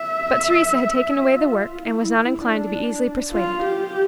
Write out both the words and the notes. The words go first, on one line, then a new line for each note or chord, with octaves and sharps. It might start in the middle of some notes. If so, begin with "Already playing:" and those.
But Teresa had taken away the work, and was not inclined to be easily persuaded.
Already playing: E5
F4
E4
D4
F4
G4